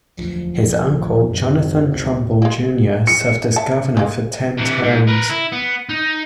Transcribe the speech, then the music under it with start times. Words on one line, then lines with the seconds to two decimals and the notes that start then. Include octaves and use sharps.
His uncle, Jonathan Trumbull Junior served as governor for ten terms.
0.19 E1 D2 F3 F#3
0.92 A1 D2
1.31 G#1 F#2
1.95 D#2 B2 C4
2.42 G#3 A#3
3.07 C#7
3.56 E5 A5
3.97 G#3 A#3
4.58 C3 E3
4.83 G#2
5.07 A#4 B4
5.29 E4
5.52 B3
5.89 D#4